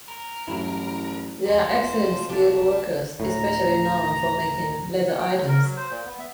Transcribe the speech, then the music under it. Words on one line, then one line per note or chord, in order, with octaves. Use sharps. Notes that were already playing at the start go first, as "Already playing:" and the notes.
They are excellent skilled workers, especially known for making leather items.
A#4
A1 G2 F#3 E4
F1 C2 C3 F3
F2 G#3 C5
C3 A#3 D4 G4 A5
D2 A2 A#5
F#5
G5
E2
A#4
F#3
C5
A#2
B3
E5